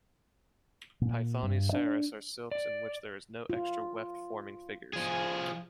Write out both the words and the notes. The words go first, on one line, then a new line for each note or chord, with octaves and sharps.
Paithani saris are silks in which there is no extra weft forming figures.
A#2
G2
D4
D5
F4
F3 G#4